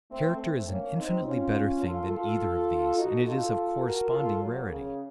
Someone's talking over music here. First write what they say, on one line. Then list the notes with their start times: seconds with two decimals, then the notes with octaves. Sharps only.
Character is an infinitely better thing than either of these, and it is of corresponding rarity.
0.11 A3 C4
0.39 A3 C4
0.67 A#3 C#4
0.96 C4 D#4
1.24 C#4 F4
1.82 F4 A4
2.11 F4 A4
2.97 D#4 F#4
3.25 F4 A4
3.83 F#4 A#4
4.11 F4 A4
4.40 F#3 A#3
4.69 C#3